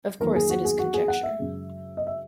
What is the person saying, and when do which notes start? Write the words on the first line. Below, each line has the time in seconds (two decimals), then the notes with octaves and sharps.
Of course it is conjecture.
0.20 E2 D#3 F#3 A#3 A#4
0.36 G#4
0.50 F#4
0.65 G#4
0.79 F#4
0.94 G#4
1.08 F#5
1.23 E5
1.38 F#2 C#3 G#3
1.97 D#5
2.07 E5